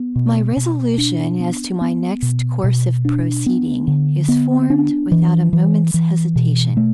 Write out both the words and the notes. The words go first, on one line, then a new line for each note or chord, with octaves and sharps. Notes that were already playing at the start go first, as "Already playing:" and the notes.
My resolution as to my next course of proceeding is formed without a moment's hesitation.
Already playing: B3
B2
B2
D4
B3
B3
B2
B2
D4
B3
D3
B3
D4
E3
E3
E3
B2
A3